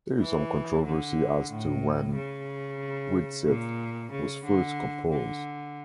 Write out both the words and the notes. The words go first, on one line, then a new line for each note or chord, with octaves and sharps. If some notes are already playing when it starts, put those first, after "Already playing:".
There is some controversy as to when "Widsith" was first composed.
E3
D3
A2
C#3
A#2
C#3
D3
D3